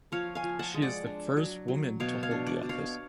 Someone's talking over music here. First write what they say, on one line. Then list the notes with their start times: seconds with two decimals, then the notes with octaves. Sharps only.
She is the first woman to hold the office.
0.12 F3 C#5 F5
0.35 F5 G#5
0.43 F3
0.59 F#5 A5
0.74 G#3
0.82 D5 F#5
1.06 D4
1.37 F#3
1.68 F#3
2.00 B2 C#5 F5
2.23 C#5 F5
2.31 D4
2.47 D5 F#5
2.63 B2
2.69 C#5 F5